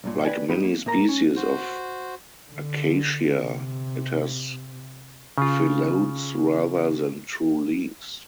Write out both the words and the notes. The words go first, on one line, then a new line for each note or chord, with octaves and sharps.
Like many species of "Acacia" it has phyllodes rather than true leaves.
B1 G2 A#2
B4 C#5 D5 G5 G#5
G#2 D#4 G4 B5
A#3
A2 A#3 A#4 A#5
C#4
F#4 C5
D3
C3
C#3 F4